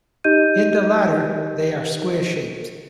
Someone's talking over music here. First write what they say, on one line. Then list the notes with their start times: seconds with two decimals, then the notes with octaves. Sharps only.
In the latter they are square-shaped.
0.24 D#4 G4 D#5 G6 D#7